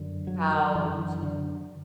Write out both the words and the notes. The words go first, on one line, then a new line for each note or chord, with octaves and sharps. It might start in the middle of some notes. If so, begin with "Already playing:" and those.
how to
Already playing: F#2 D3
F#3
F#3
F#2 D3 E3
E3
D3